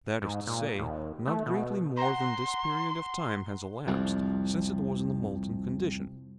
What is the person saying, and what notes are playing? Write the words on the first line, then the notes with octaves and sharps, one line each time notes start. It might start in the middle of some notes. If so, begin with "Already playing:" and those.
That is to say, not greatly more than this period of time has elapsed since it was in a molten condition.
G#2
A#2
D#2
A3
B2
F#5 A#5 C6
C2 F2